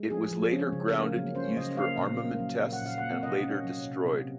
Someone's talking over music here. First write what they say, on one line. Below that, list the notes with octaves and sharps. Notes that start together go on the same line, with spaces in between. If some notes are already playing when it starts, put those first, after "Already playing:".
It was later grounded, used for armament tests, and later destroyed.
Already playing: G#3
F3 G#4
F3
C#4
C#3
A#3
F#3
C#4 C5
C#3 D#5
A#3 F5
A#2 F5
A#3
F#3
A#2
F#5
A#2 F5
A#3 F#5
C3 D#5
C#4
F#3
C3
C3